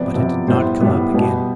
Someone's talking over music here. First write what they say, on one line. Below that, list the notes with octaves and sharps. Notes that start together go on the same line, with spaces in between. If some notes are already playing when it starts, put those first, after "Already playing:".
But it did not come up again.
Already playing: C3 F3 B3 D5
C3 F3 B3
A2 G3 B3 C5
A2 G3 B3
B2 G3 B3